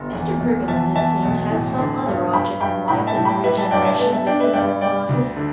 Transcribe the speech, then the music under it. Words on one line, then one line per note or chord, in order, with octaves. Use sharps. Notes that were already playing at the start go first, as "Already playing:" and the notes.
Mr. Briggerland, it seemed, had some other object in life than the regeneration of the criminal classes.
Already playing: G1
E2
E2
E2 E5 A5
E2 E5 A5
B1
A2
D3
G2
G2 G5 B5
G2 G5 B5
A2 G5 B5
E5 A5
A2
G5 B5
G3 B4 E5
E5 A5
G2 D5 G5
E5 A5
B3 E5 A5
E5 A5
D4 D5 G5
B4 E5
G2 D5 G5
G3 D5 G5
D2
D3